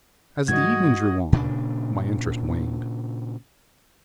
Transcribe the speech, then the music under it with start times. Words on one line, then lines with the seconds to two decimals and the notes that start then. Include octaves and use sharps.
'As the evening drew on, my interest waned.
0.48 G#2 E3 G3 F#4 D#5 G#6
1.32 A#2 C#3 C#4 D4